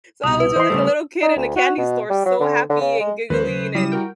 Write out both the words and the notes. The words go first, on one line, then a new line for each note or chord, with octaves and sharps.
So, I was just like a little kid in a candy store, so happy and giggling, and
C2 B2 D#6
B4
E3 C5 D#5 C6
C#3 G3 A3
D#4
D2
F#4
B2
G3
F#3
D3
D3
C#3
G#3
D#2 F3 G#3 C#4 B4 C5
C#3 F#3
F#3 G3 E4 D#6 E7
F#4 A#4 G5